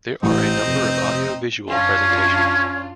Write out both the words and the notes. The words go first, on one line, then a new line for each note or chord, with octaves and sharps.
There are a number of audio-visual presentations.
A1 C4 D#4 D#5
F1
F#2 C#4 D4 F4